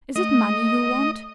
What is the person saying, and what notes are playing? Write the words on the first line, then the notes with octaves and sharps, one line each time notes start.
Is it money you want?
A3 D#5